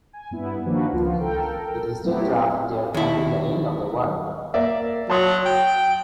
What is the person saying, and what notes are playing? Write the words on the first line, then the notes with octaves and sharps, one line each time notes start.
It stayed trapped there until the end of the war.
G#5
G2 B3 E4
D#3 F3 A#3 D4 F#4 B4
C#2 F3 F4
A4 A#4 G5
F#3 A3 B3 C4 E4 G4
D#2 E4
A#3 D5 E5
F#3 A5 C6 D#6
G5